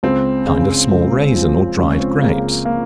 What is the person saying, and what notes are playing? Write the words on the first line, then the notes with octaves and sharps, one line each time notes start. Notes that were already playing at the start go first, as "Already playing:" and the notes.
A kind of small raisins or dried grapes.
C#2 C4
C#3
C#2
F3
C#2 C#4
C4
C#3 A#3
A#3